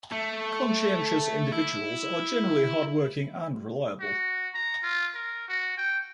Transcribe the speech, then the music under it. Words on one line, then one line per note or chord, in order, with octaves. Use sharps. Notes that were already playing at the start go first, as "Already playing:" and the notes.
Conscientious individuals are generally hard-working and reliable.
A3
E4
F#4
A#5
F4
A#4
F#4
G5